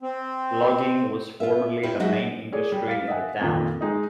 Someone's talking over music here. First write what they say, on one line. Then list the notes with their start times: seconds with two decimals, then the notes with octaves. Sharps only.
Logging was formerly the main industry in the town.
0.02 C4
1.40 F4 E5
1.83 E4 F4 G4 C#5
2.00 F#3 G#3 D#4 F#4 D#5 E5
2.52 G#4 C#5 D5
2.72 G3
2.88 F5 A6 B6
3.08 D#5 E5 F#5 G#5
3.41 F2 A#2 D#3
3.81 G#3 D#4 D#5